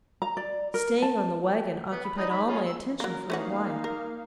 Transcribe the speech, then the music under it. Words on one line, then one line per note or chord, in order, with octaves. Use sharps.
Staying on the wagon occupied all my attention for a while.
A#5
D5
A#4
A5
B3
B5
D#4 D5 D#6
D#3 B5
C#4 F4 G#4
E6
F#3 A#3 A#4
A3 A#3 C#4 D#4 F#4 F5
A#4